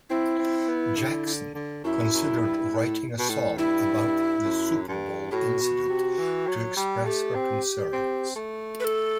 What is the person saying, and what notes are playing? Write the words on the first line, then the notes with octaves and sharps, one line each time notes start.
Jackson considered writing a song about the Super Bowl incident to express her concerns.
C4 E4
C4
B3
D3
D3
D3
F#2 E4
F#2
G2
A2
B2
A2
G2 E4
F#2
G2
A2 F#4 G4
B2
C3
E3
F#3
G3
A3 G4
C4
C4
A3
B4
A4